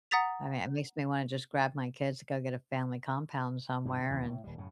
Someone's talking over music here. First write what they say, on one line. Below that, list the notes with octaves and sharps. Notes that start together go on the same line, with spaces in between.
I mean, it makes me wanna just grab my kids to go get a family compound somewhere and,
F#5 A#5 D#6 A6 B6 F7
G2 B2 D#3 F#3
B2 D3
A1 D#2 A#2 E3
A2
D#1 G3
F#2 A2 C#3